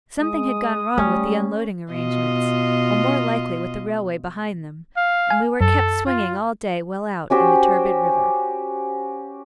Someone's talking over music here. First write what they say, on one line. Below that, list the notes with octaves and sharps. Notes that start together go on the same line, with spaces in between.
Something had gone wrong with the unloading arrangements, or more likely with the railway behind them, and we were kept swinging all day well out in the turbid river.
G#3 D#6
G3 A3 C#4
B2 F4 D#5
F5
G#5
F#2 A4
F4
C#4 F#4 G4 C5